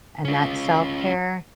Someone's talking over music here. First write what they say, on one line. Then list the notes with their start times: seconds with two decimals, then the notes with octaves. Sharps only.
and that's self-care,
0.25 C#4 F4